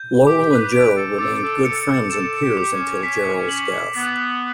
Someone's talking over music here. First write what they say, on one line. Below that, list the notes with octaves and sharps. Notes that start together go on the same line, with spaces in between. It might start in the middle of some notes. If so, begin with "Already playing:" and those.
Lowell and Jarrell remained good friends and peers until Jarrell's death.
Already playing: G6
G4 D6
B4
B4 D7
A4
A4 D6
A4
A4 C#7
A4
A4 E7
G4
D6
C#4
C#4 B6
F#7
B3 B6